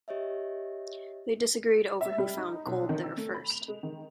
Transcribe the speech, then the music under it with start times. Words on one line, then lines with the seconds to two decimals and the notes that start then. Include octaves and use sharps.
They disagreed over who found gold there first.
0.08 G4 C#5 D#5 E5
2.01 E5
2.18 G3
2.38 D#4
2.66 B1
2.89 D#3
3.03 E6
3.17 A3
3.34 B5
3.50 F7
3.68 G#3
3.83 D#3